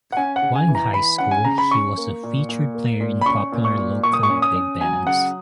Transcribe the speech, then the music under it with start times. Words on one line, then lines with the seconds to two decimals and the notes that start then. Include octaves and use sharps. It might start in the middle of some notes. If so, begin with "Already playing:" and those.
While in high school, he was a featured player in popular local big bands.
0.12 F#5
0.17 C#4 G#5
0.36 F#5
0.42 C#3
0.55 G#5
0.68 E3
0.75 A#5
0.94 E3 B5
1.18 C#4 F#5
1.31 G#5
1.45 C#3 A#5
1.58 B5
1.71 C#4 C#6
1.97 A#3
2.23 A#2
2.49 A#2
2.75 A#3
3.00 A#2
3.21 B5
3.26 C#4 C#6
3.52 A#2
3.65 C#6
3.78 A#2
4.04 A#2 C#6
4.13 D#6
4.23 C#6
4.29 C#4
4.42 D#6
4.55 C#4
4.81 F#3 G#5
5.06 C#3 F#5